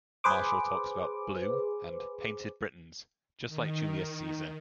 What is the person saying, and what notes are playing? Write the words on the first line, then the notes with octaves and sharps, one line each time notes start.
Martial talks about "blue" and "painted Britons", just like Julius Caesar.
G#4 B4 C5 D6
D#3